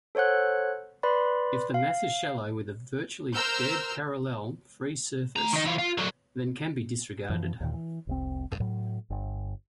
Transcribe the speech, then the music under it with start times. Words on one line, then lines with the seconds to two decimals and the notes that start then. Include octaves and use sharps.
If the mass is shallow with a virtually bed-parallel free-surface, then can be disregarded.
0.15 A4 C5 C#5 F#5 F#6
1.03 B4 D5 B5 C6
1.74 F5
3.35 A#4 C5 A#5 E6 F6 G6
5.36 A3 A#5
5.53 D#3 D#4
5.65 E3 F4
5.78 F4
5.98 D3 F#3
7.30 F#2 E3 F3
7.60 D#2 A#2 D#3
7.74 E3
8.07 F1 C2 C4
8.60 A2 F#3
9.10 G1